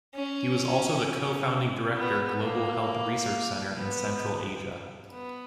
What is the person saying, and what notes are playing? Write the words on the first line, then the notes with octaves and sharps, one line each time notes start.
He was also the co-founding director Global Health Research Center in Central Asia.
C#4
B3
A#3
B3
B3